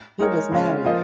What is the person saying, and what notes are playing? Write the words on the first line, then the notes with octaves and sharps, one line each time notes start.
He was married.
G#3 D#4 A#4 C#5
C#3 G#3 C#4 F4
F3 A#3 F4 C5 D#5